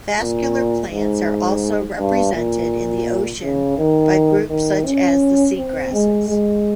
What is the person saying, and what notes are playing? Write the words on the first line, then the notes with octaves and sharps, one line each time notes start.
Vascular plants are also represented in the ocean by groups such as the seagrasses.
A#2
G#2
G2
A#2
C#3
D#3
D#3
C#4
C4
G#3
G#3